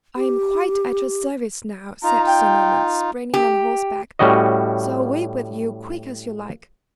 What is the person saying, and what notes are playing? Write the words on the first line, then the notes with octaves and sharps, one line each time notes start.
"I am quite at your service now," said Sir Norman, springing on horseback; "so away with you, quick as you like."
G4
D#4 F4 A#5
G5
G4
A2 G3 C#4 F#4 D#5